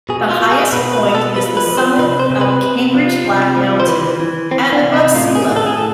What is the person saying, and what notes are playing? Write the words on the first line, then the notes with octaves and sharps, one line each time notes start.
The highest point is the summit of Cambridge Black Mountain, at above sea level.
B2 G#4
F4
B2
G#4
B2 B4
B4
B2
A4
F3 B4
B4
F3
C5
C3 B4
C5
C3 C5
B4
C3
F3
C3
F3
C5
E3 B4
E3
E3 C4
D4
C3
E4
A2 F4
G#4
A2
A4
G#4
A2 A4